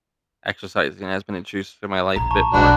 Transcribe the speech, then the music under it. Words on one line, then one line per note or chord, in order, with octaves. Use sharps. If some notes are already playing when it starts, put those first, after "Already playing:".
Exercising has been introduced to my life a bit more
A#1 A#5
A5 C#6
B1 D4 F#4 B5 F#6